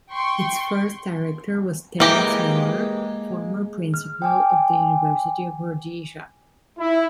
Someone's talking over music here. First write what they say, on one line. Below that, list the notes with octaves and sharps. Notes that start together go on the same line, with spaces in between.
Its first Director was Terence Miller, former principal of the University of Rhodesia.
G5 C6 C#6
E3 G#3 A#3 G4 A#5
F6
G5 G#5 D6
E4